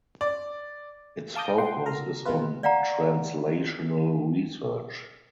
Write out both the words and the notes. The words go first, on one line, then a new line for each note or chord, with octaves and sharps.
Its focus is on translational research.
D5
F5 A5 D6 D#6 G6 A#6
F#5 G5 C6
A4 A#4 A#5
B2 E3 G#3 B3 F4 B4
D5 F5 F#5 A#5